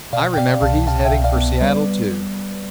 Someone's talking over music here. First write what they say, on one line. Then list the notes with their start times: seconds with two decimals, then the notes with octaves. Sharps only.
I remember; he's headed for Seattle, too.
0.13 B2 D5 F5
0.34 G5
0.37 B2 D5 F5
0.62 C2 F5 A5
0.87 C2 F5 A5
1.05 E5 G5
1.11 C2
1.24 D5 F5
1.36 B3
1.61 G3 B4 D5